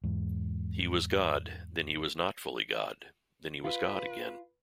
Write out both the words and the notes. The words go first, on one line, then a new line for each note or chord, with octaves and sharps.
He was God, then he was not fully God, then he was God again.
E2 G#2
F4 B4